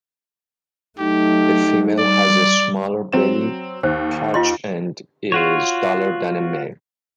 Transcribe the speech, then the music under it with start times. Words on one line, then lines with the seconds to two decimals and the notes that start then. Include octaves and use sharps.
The female has a smaller belly patch and is duller than the male.
0.99 F#3 A3 D#4 G4
1.98 G3 D5
3.12 F#3 C4 E7
3.83 D#2 C5
4.34 F4 D#5 C6
5.32 F4 F#4 C#5